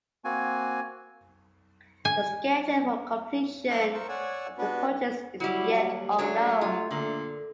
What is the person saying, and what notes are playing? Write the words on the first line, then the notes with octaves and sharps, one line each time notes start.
The schedule for completion of the purchase is yet unknown.
A#3 C4 F#4 G#5
G#5
D5 E5 A5 C6 F#6 G6
A#4 C5 C#6 E6
C#5 D5 F#5 G#5 E6
B3 D4 F#4 B4
F#3 G3 E4 F#4
D#2
F#3 A3 D4 C#5
F4
A#2 D3